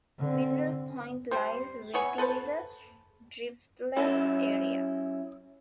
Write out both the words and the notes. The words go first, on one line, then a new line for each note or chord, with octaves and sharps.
Mineral Point lies within the Driftless Area.
D3 C4
G3 C5
E3 B3 C#5 G#5
A4 B4 C5 A5
F#3 C#4 E4 F#4